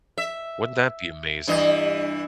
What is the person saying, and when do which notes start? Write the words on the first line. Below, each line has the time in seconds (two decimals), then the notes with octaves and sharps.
Wouldn't that be amazing?
0.18 E5
1.47 G2 E3 D#5